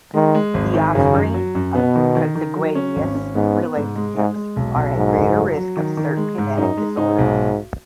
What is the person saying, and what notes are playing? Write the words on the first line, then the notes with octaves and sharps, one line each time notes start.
The offspring of consanguineous relationships are at greater risk of certain genetic disorders.
D#3 G#3
G#3
G#1
D#3
F#2 C#3
F#2
F#3
F#2
B2 B3
D#3
D#3
D#3
F#3
C#4
G#1
C#4
G#2 B3
B3
G#2
G#3
G#2 G#3
G#3
B1
B1
G#2 F#3
F#1
F#3
F#3
D#3
D#3
G#3
G#2
F#2 D#4
G#3
G#2 D#4
B1